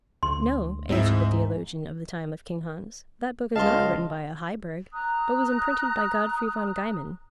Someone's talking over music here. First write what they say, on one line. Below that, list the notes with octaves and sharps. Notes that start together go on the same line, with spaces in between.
"No," answered the theologian of the time of King Hans: "that book is not written by a Heiberg, but was imprinted by Godfrey von Gehmen."
D2 C6
G#2 C4 D#4 E4
C#2 D#5 F5 A5 C6
A#5 D#6 F#6